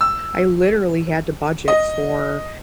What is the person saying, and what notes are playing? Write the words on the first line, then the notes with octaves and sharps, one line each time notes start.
I literally had to budget for,
E6
D#5